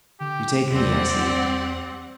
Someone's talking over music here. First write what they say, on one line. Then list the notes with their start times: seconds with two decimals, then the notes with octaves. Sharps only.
You take me, I see.
0.20 D3 G4
0.71 E2 G3 C4 D5 F#5